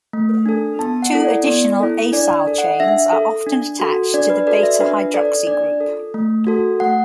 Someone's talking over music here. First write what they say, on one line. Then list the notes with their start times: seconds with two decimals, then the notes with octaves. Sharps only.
Two additional acyl chains are often attached to the beta hydroxy group.
0.13 A3
0.46 D4 A4
0.79 B3 A5
1.02 F#5
1.12 E4 A4
1.25 D5
1.46 B3 D5
1.80 E4 A4
2.13 D4 D5
2.36 D5
2.47 A4
2.58 F#5
2.80 D4 E5
3.13 A4
3.47 D4
3.80 F#4 A4
4.14 D4 D5
4.30 B4
4.47 F#4 A4 D5
4.63 E5
4.80 D4 B4
5.14 A4 D5
5.47 D4 D5
5.81 A4
6.14 A3
6.47 F#4 A4
6.80 A3 F#5